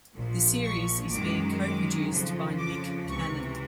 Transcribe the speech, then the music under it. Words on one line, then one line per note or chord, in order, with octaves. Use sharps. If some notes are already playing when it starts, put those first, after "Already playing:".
The series is being co-produced by Nick Cannon.
A#1 A#2 F3
C#6
F#2 D#3 G#3 D6
D6
F2 C#3 F3
D6
C#2 C3 E3 C#6